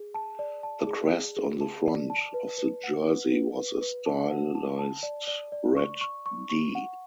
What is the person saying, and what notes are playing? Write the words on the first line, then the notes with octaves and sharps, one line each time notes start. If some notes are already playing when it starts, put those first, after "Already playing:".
The crest on the front of the jersey was a stylized red "D".
Already playing: G#4
A5
D5
A5
G#4
G#4
G#4
A5
D5
A5
B4
B4
F#5
B4
B4
B4
B4
A5
F#5
A5
A5
D5
D5
D5
C#6
C#6
C#6
C#6
F#5